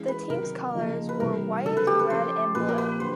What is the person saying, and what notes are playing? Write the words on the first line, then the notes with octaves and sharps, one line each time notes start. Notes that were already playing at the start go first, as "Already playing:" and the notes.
The team's colors were white, red and blue.
Already playing: E3 G#3 C#4
B4
C3 D#3 F#3 A#4
C#3 F3 A#3 D#4
B4
C3 E3 G3 A#4
C#3 F#3 A3 D4 A4
B4
G4
B4
F3 A3 C#4 C5
A#2 F3 A#3 B4
A#4
B4
D3 F#3 C5